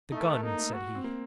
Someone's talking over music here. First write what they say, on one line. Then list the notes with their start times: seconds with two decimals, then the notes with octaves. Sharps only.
"The gun!" said he.
0.12 A3 D#4
0.21 A#4
0.27 A4
0.43 A#3 D#4
0.59 A3
0.73 F#4
0.95 C4
1.04 A#3